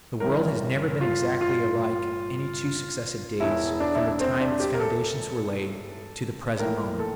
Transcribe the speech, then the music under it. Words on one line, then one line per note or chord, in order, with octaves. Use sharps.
The world has never been exactly alike any two successive days from the time its foundations were laid to the present moment.
G1 G2 E3 A#4
F4
F4
E1 E2 E3 E4
D4
E4
D4
C4
D4
G4
A#4
A4
A#1 A2 E3 A#4
A4